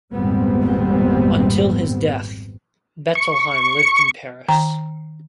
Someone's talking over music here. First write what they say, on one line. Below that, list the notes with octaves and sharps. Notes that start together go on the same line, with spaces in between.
Until his death, Bettelheim lived in Paris.
G#1 F2 A#2 G3 B3 C4
C#6
D#3 G5 A#5